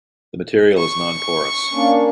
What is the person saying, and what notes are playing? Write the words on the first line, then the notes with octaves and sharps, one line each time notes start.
The material is non-porous.
C#6
A#3 C#4 D4